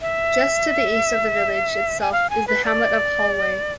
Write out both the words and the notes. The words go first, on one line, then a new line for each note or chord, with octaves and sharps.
Just to the east of the village itself is the hamlet of Holway.
E5
G#5
F5
G#5
B4
D5